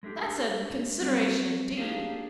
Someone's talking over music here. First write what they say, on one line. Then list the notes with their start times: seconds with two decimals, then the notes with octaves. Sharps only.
That's a consideration, indeed.
0.03 G#3 A3 D4 G4
0.99 F#3 G3 A3 C4
1.77 A#3 D4 D#4 G4 G#4 F5